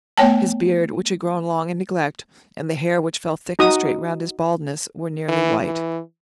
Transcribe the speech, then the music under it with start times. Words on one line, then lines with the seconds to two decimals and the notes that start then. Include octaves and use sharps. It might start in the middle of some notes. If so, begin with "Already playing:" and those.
His beard, which had grown long in neglect, and the hair which fell thick and straight round his baldness, were nearly white.
0.18 A3 B3 C#5 G5 A5
3.59 D#4 F#4 D#6
5.29 E3
5.63 E3